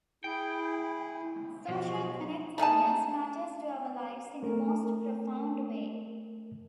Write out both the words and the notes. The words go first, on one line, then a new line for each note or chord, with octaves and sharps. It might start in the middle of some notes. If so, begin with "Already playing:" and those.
Social connectedness matters to our lives in the most profound way.
E4 G#4 G5
B1 F3 F#4
A3 D#4 G#4 A5
A3 A#4